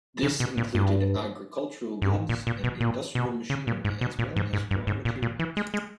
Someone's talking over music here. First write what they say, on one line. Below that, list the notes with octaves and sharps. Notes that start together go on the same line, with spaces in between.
This included agricultural goods and industrial machinery as well as raw materials.
C#3
B2
A#2
G2
G2
G#2
A#2
A#2
B2
A#2
B2
C#3
A#2
G#2
B2
A#2
G#2
G#2
G2
G#2
A#2
A#2
E3
G#3
G#3